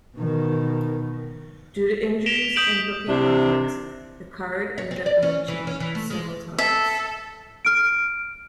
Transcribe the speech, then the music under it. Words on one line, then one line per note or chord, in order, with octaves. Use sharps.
Due to injuries and booking conflicts, the card ended up being changed several times.
B2 D#3
B6 D7 E7 F7 G7
D#6 G6 B6 D7 F#7
C3 D4 E4
C#5
C4
D5
C#4
E3
C#4
E3
A3
G#3
A4 E5
F6 D7